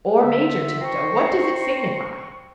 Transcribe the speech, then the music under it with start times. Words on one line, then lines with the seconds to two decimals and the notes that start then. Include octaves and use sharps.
"Or Major Tifto;--what does it signify?"
0.22 D3 F4 E5
0.81 C5 G5 A#5 C6 C#6